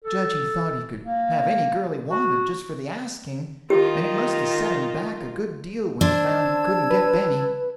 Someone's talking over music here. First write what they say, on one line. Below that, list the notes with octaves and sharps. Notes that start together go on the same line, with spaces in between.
I judge he thought he could have any girl he wanted, just for the asking, and it must have set him back a good deal when he found he couldn't get Benny.
A4
A#3
F#4
D#3 F4 G4
D4 C5 A5 E6 G#6
B4